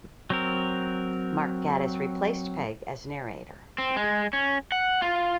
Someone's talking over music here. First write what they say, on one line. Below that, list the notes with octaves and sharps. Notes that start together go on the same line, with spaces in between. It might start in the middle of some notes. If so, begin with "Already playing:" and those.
Mark Gatiss replaced Pegg as narrator.
F#3 C4 A#4
C4
G#3
C#4
F#5
F4